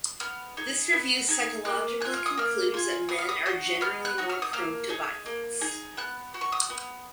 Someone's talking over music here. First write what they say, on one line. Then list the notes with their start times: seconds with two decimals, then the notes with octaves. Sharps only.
This review psychologically concludes that men are generally more prone to violence.
0.20 B3 F6
0.57 D#4 G#4
0.93 B3
1.29 D#4 G#4
1.65 A#3 F#6
2.00 F4 G#4 F#6
2.14 F6
2.26 D#6
2.37 A#3 F6
2.74 F4 G#4
3.09 B3 D#6
3.19 F6
3.29 D#6
3.46 D#4 F#4 D#6
3.81 B3 F6
4.05 F#6
4.18 D#4 F#4
4.29 F6
4.42 D#6
4.53 A#3 F6
4.89 D#4 G#4
5.26 A#3
5.61 D#4 G#4
5.97 B3 F#6
6.34 F#4
6.41 C#6
6.52 D#6
6.70 B3